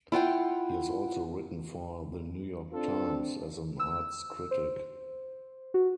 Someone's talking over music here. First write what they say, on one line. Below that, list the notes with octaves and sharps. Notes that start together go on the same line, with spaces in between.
He has also written for "The New York Times" as an arts critic.
E4 F4 F#5 G5
C4 D4 F4 A4
E6
C5
F#4